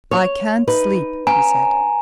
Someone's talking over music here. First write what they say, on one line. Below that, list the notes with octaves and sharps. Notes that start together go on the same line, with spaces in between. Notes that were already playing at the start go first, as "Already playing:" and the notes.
"I can't sleep," he said.
C#5
D#4 B4
C#4 G#5 A#5